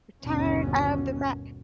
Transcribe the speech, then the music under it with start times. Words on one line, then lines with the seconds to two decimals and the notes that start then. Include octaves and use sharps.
Return of the Mac.
0.24 G1 D#2 B2 C#4